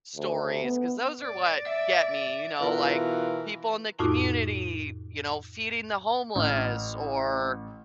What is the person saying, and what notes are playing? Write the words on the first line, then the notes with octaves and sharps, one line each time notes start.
stories, 'cause those are what get me, you know? Like, people in the community, you know, feeding the homeless or,
D2
B3
D5
E5
B2 E3 F4 A#4
F2 A2 D#4 F4 F#4 D6
A1 F6